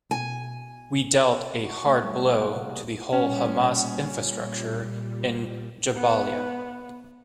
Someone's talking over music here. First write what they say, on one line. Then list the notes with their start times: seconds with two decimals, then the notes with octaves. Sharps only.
We dealt a hard blow to the whole Hamas infrastructure in Jabalia.
0.11 B2 G#5
1.62 F#4
1.86 A3
2.03 G3
2.20 B3
2.39 A#3
2.56 C3
2.69 G#4
3.13 A#2 G3 C#4
5.95 B3